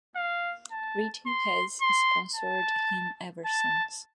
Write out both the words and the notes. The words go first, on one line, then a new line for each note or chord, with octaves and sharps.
Ritchey has sponsored him ever since.
F5
A5
C6
C6
A5
A5